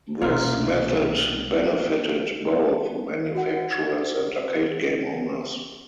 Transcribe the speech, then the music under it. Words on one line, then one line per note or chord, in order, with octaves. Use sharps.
This method benefitted both manufacturers and arcade game owners.
C2 B2 A#3 C#4 F4 A#4 E5
F#4 F#5